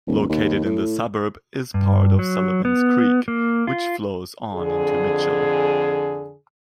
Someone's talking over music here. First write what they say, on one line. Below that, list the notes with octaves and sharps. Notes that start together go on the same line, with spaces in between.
Located in the suburb is part of Sullivans Creek, which flows on into Mitchell.
D#1
D#2
A2
G2
F#3
B3
A#3
F4
F2 D3 G#4